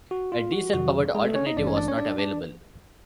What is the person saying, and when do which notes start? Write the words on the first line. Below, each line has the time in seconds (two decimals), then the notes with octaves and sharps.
A diesel powered alternative was not available.
0.11 F#4
0.32 F4
0.52 F#4
0.73 F2 C3 D#3 F#3 F#4
1.15 G#3 G#4
1.25 A3 A4
1.35 C#4 C#5
1.46 D#4 D#5
1.56 G#1 G2 E3 A3 D4 D5
1.67 C#4 C#5
1.77 D4 D5
1.88 C#4 C#5
1.98 D4 D5
2.18 D4 D5